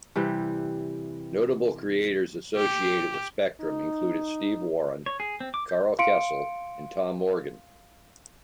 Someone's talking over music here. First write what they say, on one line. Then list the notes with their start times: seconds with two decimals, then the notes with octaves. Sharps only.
Notable creators associated with Spectrum included Steve Woron, Karl Kesel and Tom Morgan.
0.16 C3 E3 G3
2.56 G4
3.61 D#4
5.06 C#5
5.20 G#4
5.40 C4
5.54 D6
5.69 G6
5.99 F5 C6 C#7 D7